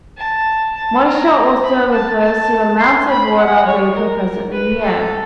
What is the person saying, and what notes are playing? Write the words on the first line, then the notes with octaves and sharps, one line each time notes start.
Moisture also refers to the amount of water vapour present in the air.
A5
A5
A#5
B5
A5
A5
C6
B5
F#5
C#5
A#4
B4
A4